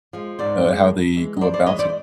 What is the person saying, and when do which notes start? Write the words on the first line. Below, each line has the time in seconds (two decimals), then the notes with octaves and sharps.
uh, how they go about it.
0.13 F3 G#3
0.39 G#2 C5 D5
0.64 F3 G#3
0.90 G2
1.16 E3 G#3
1.37 D#5
1.41 G2 C5 D5
1.54 C5 D5
1.66 E3 G#3 C#5 D#5
1.79 C5 D5